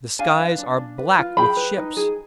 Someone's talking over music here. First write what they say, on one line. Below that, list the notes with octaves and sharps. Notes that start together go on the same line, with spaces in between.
The skies are black with ships.
D4 F5 G#5
B4
D4
D4
B4
F4
G#4 G5 B5
B4
D#4
G#4